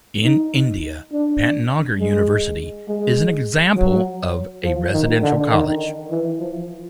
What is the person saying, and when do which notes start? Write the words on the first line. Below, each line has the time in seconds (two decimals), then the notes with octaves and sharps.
In India, Pantnagar University is an example of a residential college.
0.24 D#4
1.12 D4
2.00 G#3
2.88 G#3
3.76 F#3
4.63 F3
4.93 D#3
5.22 D3
5.51 D#3
6.10 E3
6.40 F3